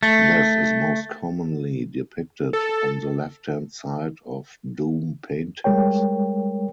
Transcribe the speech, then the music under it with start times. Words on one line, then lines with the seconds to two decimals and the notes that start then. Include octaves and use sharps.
This is most commonly depicted on the left hand side of Doom paintings.
0.03 A3
2.53 A4
5.64 G3 G#3 A#4 C#5 G5